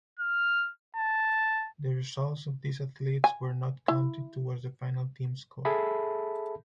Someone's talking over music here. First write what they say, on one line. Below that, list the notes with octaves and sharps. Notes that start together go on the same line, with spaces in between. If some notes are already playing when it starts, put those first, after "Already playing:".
The results of these athletes were not counted towards the final team score.
F6
A5
G#5
E4
G#4 A4 E5 A5 B5